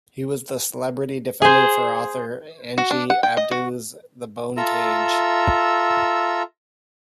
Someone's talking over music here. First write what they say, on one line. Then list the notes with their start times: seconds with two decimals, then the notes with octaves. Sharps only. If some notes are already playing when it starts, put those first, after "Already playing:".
He was the celebrity defender for author Angie Abdou's "The Bone Cage".
1.42 G#4 C5
2.78 F#4
2.91 D4
3.10 F#5
3.23 G5
3.37 D#5
3.51 F#4
4.57 F4 A4 E5 A#5 E6